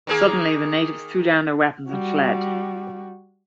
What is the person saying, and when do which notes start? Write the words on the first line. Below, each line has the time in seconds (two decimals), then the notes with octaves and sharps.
Suddenly, the natives threw down their weapons and fled.
0.07 D#3 A#3 G#4
1.90 G3 F#4